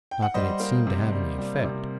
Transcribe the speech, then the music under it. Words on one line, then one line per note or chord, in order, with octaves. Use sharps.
Not that it seemed to have any effect.
G5
F#5
G3 C5 D#5
A#3
C3
G3
G3
C3